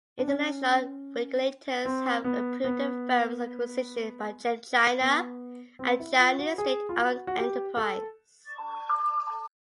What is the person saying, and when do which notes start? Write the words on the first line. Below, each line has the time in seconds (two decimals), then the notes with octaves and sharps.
International regulators have approved the firm's acquisition by ChemChina, a Chinese state-owned enterprise.
0.19 D4
0.28 C#4
1.85 C4
2.24 B3
2.64 B3
5.01 B3
5.79 C4
6.00 E4
6.19 F4
6.39 F#4
6.58 G#4
6.89 F4
6.97 F#4
7.27 F#4
7.37 G4
7.77 A4